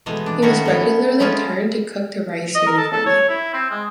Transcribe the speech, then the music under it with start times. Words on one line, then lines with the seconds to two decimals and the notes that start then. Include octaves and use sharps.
He must regularly turned to cook the rice uniformly.
0.06 B2 E3 G#3 A3 B3
0.26 D4
0.42 D#3 A3 B3 C#4 F#4
0.65 A3 B3 C#5
1.20 G#3 A3 B3 C#4 F4
2.55 D#5
2.67 A#4
2.78 A4
2.92 A4
3.06 C#5
3.29 E4
3.53 C4
3.71 G#3